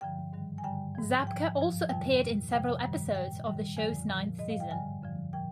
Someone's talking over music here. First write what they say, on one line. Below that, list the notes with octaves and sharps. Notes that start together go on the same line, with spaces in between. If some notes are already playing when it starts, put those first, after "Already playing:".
Zabka also appeared in several episodes of the show's ninth season.
G2 D3 F3 G5
G#2 D#3 G3
G#5
G2 D3 G3 G5
G#2 F3
G#2 F3 G5
G2 F3
F2 C3 D#3 G3 G5
A#2 G3
F2 C3 F3 G5
G2 D#3 G3
A#2 G3 G5
G#2 D#3 G3
F2 D3 F3 G#5
A#2 F3
G#2 G3 D#5
F5
G5
G2 D3 G3 G#5
F2 D3 F3
A#2 F3 G5